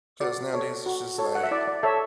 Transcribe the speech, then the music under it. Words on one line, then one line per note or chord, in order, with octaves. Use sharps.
‘cause nowadays, it's just like,
F#4 D5
A4 C#5
F#4
A4 C#5
F#5
E5
E4 D5
D5
A4 C#5 E5